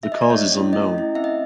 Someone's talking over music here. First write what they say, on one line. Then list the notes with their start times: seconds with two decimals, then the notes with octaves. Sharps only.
The cause is unknown.
0.03 E5
0.12 D#5
0.22 D5
0.30 A3 C#5
0.51 C#4 E4
0.73 A3 D#5
0.94 C#4 E4
1.15 C4 E5
1.24 D#5